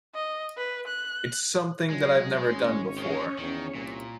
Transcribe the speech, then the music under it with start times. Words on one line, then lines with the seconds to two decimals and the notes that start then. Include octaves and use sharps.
It's something that I've never done before.
0.15 D#5
0.57 B4
0.87 F#6
1.90 F#3 G#3
2.44 G#1 C#4 C#5
2.98 D#3 G#3
3.39 E2 D#3
3.75 C2 A#2